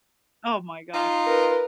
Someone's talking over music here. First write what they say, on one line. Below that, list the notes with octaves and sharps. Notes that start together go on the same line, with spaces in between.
Oh my gosh.
D#4 F4
A#4 B4